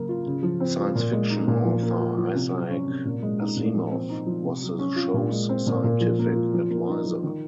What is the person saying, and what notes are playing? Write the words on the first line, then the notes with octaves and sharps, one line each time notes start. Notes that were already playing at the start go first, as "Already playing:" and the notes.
Science fiction author Isaac Asimov was the show's scientific adviser.
Already playing: C#3 F#3 A#3
F4
C#3
F3
C4
F4
A#2
G#3
D#4
A#2
F3
A#3
F4
F3
C3
F#3
C#4
C3
A#2
G#3
D#4
A#2
F3
C4
D#4
F3
C3
F#3
C#4
F4
A#2
G#3
C4
A#2
A#2
F3
A#3
F4
F3
A#3
D#4
F3
D#3